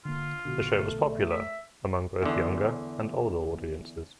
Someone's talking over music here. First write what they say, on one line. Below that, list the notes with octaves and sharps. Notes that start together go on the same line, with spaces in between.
The show was popular among both younger and older audiences.
D3 A#3 F4
A#1 B2 D3 F#4
A3
E5
E2 D3